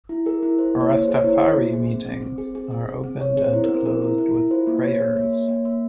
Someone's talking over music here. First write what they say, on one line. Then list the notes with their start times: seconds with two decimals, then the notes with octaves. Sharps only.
Rastafari meetings are opened and closed with prayers.
0.09 E4
0.26 G#4 A#4
0.43 E4
0.59 E4 C5
0.75 A#3
0.81 C#5
0.91 A#3
1.03 C5
1.08 G#4
1.16 C#5
1.24 E4 C5
1.40 G#4
1.57 A#3
1.73 G#4
1.89 C4
2.06 C4
2.22 C4
2.38 G#4
2.55 G#4
2.71 G#4
2.88 C4
3.04 C4
3.20 C4 C#5
3.37 G#4
3.42 C5
3.53 E4
3.64 C4 A#4
3.75 C5
3.86 G#4 A#4
4.02 E4
4.18 E4
4.34 E4
4.51 F4 C5
4.67 A#3
4.78 C5
4.83 A#3 C#5
5.00 G#4
5.17 A#3
5.33 A#3
5.49 A#3
5.65 A#3